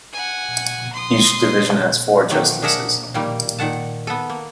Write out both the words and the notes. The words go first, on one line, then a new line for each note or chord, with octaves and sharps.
Each division has four justices.
F#5 G#5
C6 D#6
D#3 F#3 A3 A#3 C4
D4 G#4 A#4 E5 F#5
A#2 D#3 G3 A#3
A#2 D#3 F#5 A5
B3 A4
A#3